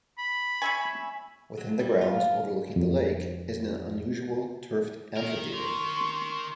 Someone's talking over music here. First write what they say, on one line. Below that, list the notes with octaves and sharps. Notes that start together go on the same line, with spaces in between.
Within the grounds, overlooking the lake, is an unusual turfed amphitheatre.
B5
C#5 E5 G#5
F#3
G3
F4
F2
D#3 A#4
C6 C#6